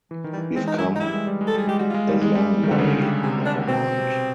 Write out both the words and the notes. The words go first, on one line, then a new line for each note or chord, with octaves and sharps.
We've come a long way; never mind.
E3
D#3
G3
E3
G#3 C4
D#4
E4
D#4
G3 E4
G#3
G3
G#3
A4
G3 G#4
G#3 G4
G3 F#4
G#3 F4
G3
G#3
G3
D#3
D3 F4
C#3 F#4
G4
C3 G#4
D4
B2 C4
C3